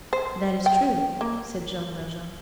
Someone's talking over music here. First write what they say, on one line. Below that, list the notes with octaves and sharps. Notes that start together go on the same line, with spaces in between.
"That is true," said Jean Valjean.
C5
G5
A#3